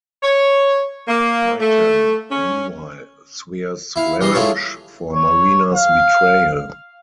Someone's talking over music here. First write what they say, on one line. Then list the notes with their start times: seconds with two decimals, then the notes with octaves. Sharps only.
Titan, meanwhile, swears revenge for Marina's betrayal.
0.23 C#5
1.08 A#3
1.60 A3
2.30 C#4
3.96 E4 F5
4.21 E3 G3 D#5 C6 D#6
4.34 A3 E4 F4 G#4 C#5 A5
5.14 C#5
5.75 F5